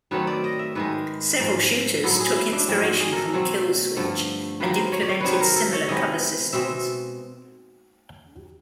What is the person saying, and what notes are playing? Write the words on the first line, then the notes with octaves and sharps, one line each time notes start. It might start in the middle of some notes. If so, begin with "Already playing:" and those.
Several shooters took inspiration from "Kill Switch" and implemented similar cover systems.
D#3 F#3 A3 C4 B4
D5
D#5
E5
G#2 D#3 G#3 B4
G#2 F3 G#3
A2 F#3 B3 A4
G#4
E4
D4
G#2 F3 G#3 C4
F#4
G#4
A4 A#4
B2 F#3 A3 C4
G2 D3 F3 A3
D#3 F#3 A#3 B4
C5
C#5
D5
C#5
C3 D#3 F#3 B4 C5
B4
A#4
A4
C#5
C3 D#3 G#3 B3 D#5
B2 G#3 C4 E5